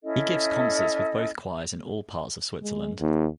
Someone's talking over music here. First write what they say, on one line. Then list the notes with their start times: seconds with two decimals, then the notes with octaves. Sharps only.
He gives concerts with both choirs in all parts of Switzerland.
0.04 C#4 E4 A4 D#5
2.62 G#3
3.00 D#2